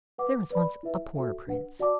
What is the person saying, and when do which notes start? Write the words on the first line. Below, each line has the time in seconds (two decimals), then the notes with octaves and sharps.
There was once a poor Prince.
0.18 B4 F#5 D6
0.50 B4 D5 B5
0.83 E4 B4 E5
1.15 F#4 A4 E5
1.47 D4 B4 F#5
1.79 F#4 D5 F#5 A5 D6